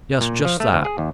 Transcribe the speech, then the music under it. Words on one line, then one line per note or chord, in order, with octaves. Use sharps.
Yes, just that.
A#2
F3
A3
D2
G#4
D#2